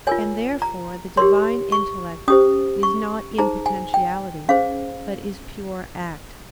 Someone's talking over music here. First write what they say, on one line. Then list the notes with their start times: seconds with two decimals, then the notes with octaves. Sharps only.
And therefore the Divine intellect is not in potentiality, but is pure act.
0.07 F4 A#4 C#5 G#5
0.62 A#5
1.17 G4 A#4 C#5 C6
1.72 C#6
2.28 C#4 G4 C5 D#6
2.83 C#6
3.38 D#4 G#4 C5 A#5
3.66 G#5
3.94 G5
4.49 C#4 G#4 C5 F5